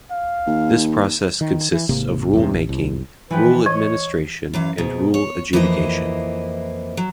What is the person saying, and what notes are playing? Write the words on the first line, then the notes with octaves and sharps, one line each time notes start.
This process consists of rule-making, rule-administration and rule-adjudication.
F5
D#2
D#3
E3
G#1 C3 A#3
E2 G2 C3
A1
C2
E3 F3 B4 G5
E3 C#5 D#5
F#2 E3 F5
G#2 B2
C#5
F2 E3 A#3 E4 F#4 D#5
F#3